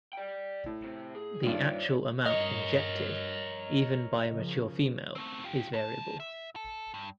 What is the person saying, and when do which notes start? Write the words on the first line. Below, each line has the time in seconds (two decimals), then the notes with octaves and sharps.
The actual amount injected, even by a mature female, is variable.
0.13 D5 G5
0.66 A2
0.84 C3
1.15 G#4
1.43 G2 A#2 D#3 C#5 D5
2.26 G2 A#4 C#5 D#5
4.30 C#3 F3
5.15 A3 C4
5.44 F4 G4
5.73 D#3 A5
6.20 E5
6.56 A4
6.94 G2